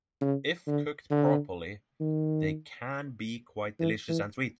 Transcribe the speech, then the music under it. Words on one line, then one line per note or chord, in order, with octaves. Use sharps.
If cooked properly, they can be quite delicious and sweet.
C#3
D3
D3
D#3
E3
E3